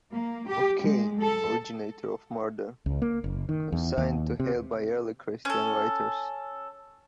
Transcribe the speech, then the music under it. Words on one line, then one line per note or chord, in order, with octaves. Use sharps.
Of "Cain", originator of murder, consigned to Hell by early Christian writers.
A#3
G4
G#3
A4
C#2
A#3
F#1
D#3
E2
D#2
C3
C#4 A4